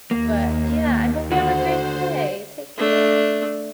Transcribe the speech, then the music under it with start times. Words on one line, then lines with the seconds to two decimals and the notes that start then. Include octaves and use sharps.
but, yeah. I hope you have a great day, take care.
0.11 D#2 A#3
1.31 D3 F#4 C5
2.77 A3 D4